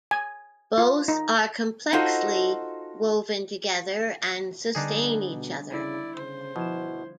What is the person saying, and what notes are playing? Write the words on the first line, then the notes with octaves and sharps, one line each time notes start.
Both are complexly woven together and sustain each other.
G#5
F4
D#4
D#4 F4 F#4 A4 C5 D#5
D3 G3 B3 D4 D#4 G#4
B2
C#3 E4 D5
C#3 C5
B2 F3 E4 G#6 E7